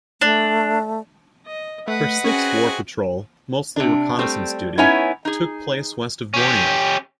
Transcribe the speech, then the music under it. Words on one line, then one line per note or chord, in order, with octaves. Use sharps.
Her sixth war patrol, mostly reconnaissance duty, took place west of Borneo.
A3 D4
D#5
A3 B4 D#5 F#5
C4 C#4 F#4 G#4
C3 D4
G3 A3 C4
B3 C#4 D#4 E4 C#5 G#5
D#4 G#4
C#4 G4